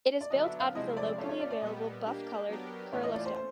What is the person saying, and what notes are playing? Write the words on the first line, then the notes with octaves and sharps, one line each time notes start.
It is built out of the locally available buff coloured Kurla stone.
D5
D3 F#3 B3 D4 D#5
E5
F5
C3 F3 G#3 C4 E4 D#5
D5
D5
A3 C#4 F4 C#5
C#5
D5
D5
A#2 G3 B3 D#5
A#3 D4 G4
F#3 B3 D4 G4 A#4
A2 E3 A3 C#4 F4 C#5
D#5
D5
C5
C5